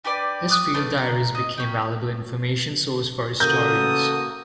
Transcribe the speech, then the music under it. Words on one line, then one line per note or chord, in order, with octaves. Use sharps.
His field diaries became valuable information source for historians.
D4 G4 B4 D5
D6 D#6 F#6
A3 B3 D4 D5
A#5
D#5
C#4 G5
C#3 E3 A#3 F#4 A4 A#4 D#6 G6